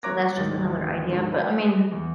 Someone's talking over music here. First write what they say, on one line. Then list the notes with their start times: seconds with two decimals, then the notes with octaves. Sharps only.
So that's just another idea, but I mean
0.03 C#5 A#5 D6 F#6 A#6
0.37 D1 G#2 D#3 A6
1.10 G#2 D3
1.32 B4
1.92 E2